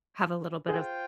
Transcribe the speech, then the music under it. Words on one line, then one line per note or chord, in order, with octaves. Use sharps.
Have a little bit of
F4 G#4 C5 G5